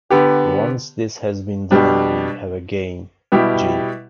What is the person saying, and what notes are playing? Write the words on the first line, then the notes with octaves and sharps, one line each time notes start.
Once this has been done we have a game "G".
D3 B3 G4
B2 G3 D4
B2 G3 E4 G4